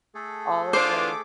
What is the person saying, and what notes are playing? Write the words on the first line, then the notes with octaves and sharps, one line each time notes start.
All of tho
A3 G#4 A4
D3 D4 F4 C5 D6